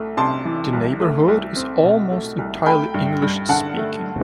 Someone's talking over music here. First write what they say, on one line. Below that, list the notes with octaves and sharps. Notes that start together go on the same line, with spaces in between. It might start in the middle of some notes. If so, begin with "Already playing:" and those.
The neighbourhood is almost entirely English speaking.
Already playing: C2 A3
C3 A5 C6
E3
C2
A3
C2
C4
B2
A3
C2
A3 G5 B5
G2
G2
D3 F#5 A5
A3